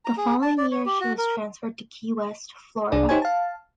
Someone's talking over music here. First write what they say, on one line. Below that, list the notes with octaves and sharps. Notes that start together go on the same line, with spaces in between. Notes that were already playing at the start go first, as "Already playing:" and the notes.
The following year she was transferred to Key West, Florida.
A#5
G#4
A5
D5
C#5
G4
F#4
A#4
C2 D4 G#4 D5
D#4 G4 C5 C#5 G#5
F5 A5